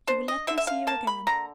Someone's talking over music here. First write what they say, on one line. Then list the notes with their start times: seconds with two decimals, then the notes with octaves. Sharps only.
You will let me see you again?
0.07 D4 C5
0.28 D#5
0.47 D3 E5
0.58 E5
0.67 F5
0.87 A#3 A5
1.07 B5
1.27 D3 A#5